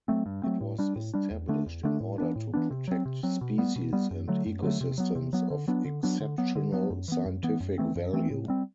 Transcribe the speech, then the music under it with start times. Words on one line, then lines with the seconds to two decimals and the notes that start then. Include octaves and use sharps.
It was established in order to protect species and ecosystems of exceptional scientific value.
0.08 F#3 A3 C4
0.26 G2
0.43 F#3 A3 C4
0.61 A2
0.79 G3 D4
0.96 A2
1.14 G3 D4
1.31 E2
1.48 D3 A3 D4
1.66 E2
1.83 D3 A3 D4
2.00 A2
2.18 E3 B3 D4
2.36 A2
2.54 E3 B3 D4
2.71 C3
2.88 F#3 C4
3.05 C3
3.23 F#3 C4
3.41 B2
3.58 G3 B3
3.76 B2
3.93 G3 B3
4.11 F#2
4.28 D3 F#3 A3
4.46 F#2
4.63 D3 F#3 A3
4.81 C3
4.98 F#3 B3
5.15 C3
5.33 F#3 B3
5.50 D3
5.68 F#3 B3 D4
5.85 D3
6.03 F#3 B3 D4
6.20 D3
6.38 F#3 B3
6.55 D3
6.72 F#3 B3
6.90 F#2
7.08 E3 B3
7.26 F#2
7.43 E3 B3
7.60 F#2
7.78 E3 A3 C4
7.96 F#2
8.13 E3 A3 C4
8.30 A2
8.48 G3 C4